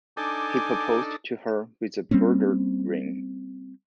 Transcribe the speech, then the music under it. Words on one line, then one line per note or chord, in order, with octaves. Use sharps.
He proposed to her with a burger ring.
D4 D#4 A4 G#5 D6 G6
G3 A#3 C4 C#4